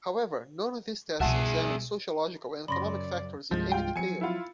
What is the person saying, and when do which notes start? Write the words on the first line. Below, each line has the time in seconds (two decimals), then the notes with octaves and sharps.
However, none of these tests examined sociological and economic factors in any detail.
1.20 C2 B2 G3 G#4 E5 F#5 A5
2.68 F#2 C#3 C#4 D5 B5 C6 A#6
3.51 C2 G2 F3 G#3
3.72 F4 G5
3.96 F3 F#3 G#5 C#7
4.21 E4 F4